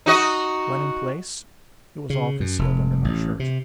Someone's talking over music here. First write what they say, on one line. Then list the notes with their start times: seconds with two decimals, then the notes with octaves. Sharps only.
When in place it was all concealed under my shirt.
0.06 D#4 F#4 D#5
2.10 C#3
2.40 F#2
2.59 F1
3.04 A1
3.40 C3